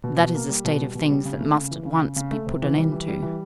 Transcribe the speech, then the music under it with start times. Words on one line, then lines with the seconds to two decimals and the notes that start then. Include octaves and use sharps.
That is a state of things that must at once be put an end to!
0.04 B2
0.19 B2
0.35 A#3
0.49 G3
0.65 B2
0.80 G3
0.95 B2
1.10 G3
1.25 C#3
1.41 A3
1.56 C#3
1.71 E3
1.86 C#3
2.01 C#3
2.16 C#3
2.31 A3
2.47 C3
2.62 E3
2.77 G3
2.92 E3
3.08 G3
3.23 E3